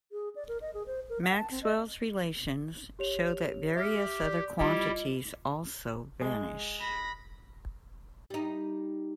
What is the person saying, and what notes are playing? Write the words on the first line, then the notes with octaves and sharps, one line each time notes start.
Maxwell's relations show that various other quantities also vanish.
G#4
D5
A#4
D#5
G#4
C5
A#4
F#5
A5
C4
D#5
G4 C#5 F7
G4 E5 E6 F6
D5 G6
G3 E4 F4 G4 D#5
G#3
B5 A#6
G3 D#4